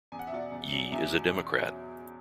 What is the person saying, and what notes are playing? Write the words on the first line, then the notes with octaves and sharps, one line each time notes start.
Yee is a Democrat.
E2 G#5
F#5
E5
B2 D5 F#5
E2
F#3
E2 E5 G#5
B2
E2
F#3